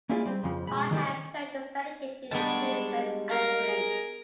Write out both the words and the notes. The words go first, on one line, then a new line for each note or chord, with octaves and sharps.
High Ham Church is dedicated to Saint Andrew.
A#3 C#4 E4 F4 G#4 D5
G3 C4
F2 C#3 F3
B2 G#3 B5
D#3 E3 G3 A3 F#4 G4
G3 G#3 B3 D4 D#4 A5 C#6
A#4 F5
G#4